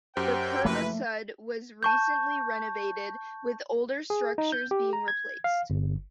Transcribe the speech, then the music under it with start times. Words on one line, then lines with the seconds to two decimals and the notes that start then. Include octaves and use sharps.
The Curva Sud was recently renovated, with older structures being replaced.
0.17 F#2 G4 C5 F#5 G5
0.65 F#1 E3 F3 A3 A#3 B4
1.83 A5 C#6 G6
4.10 G#4
4.38 D#4
4.52 G6
4.71 G4
4.93 A#5
5.08 G#6
5.44 F5
5.70 G1